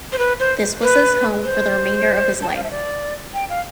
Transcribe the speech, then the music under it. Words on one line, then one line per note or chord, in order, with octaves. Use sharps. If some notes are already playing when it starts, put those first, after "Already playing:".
This was his home for the remainder of his life.
C5
B4
C5
B4
C5
A5
G5
F5
E5
D5
G5
F5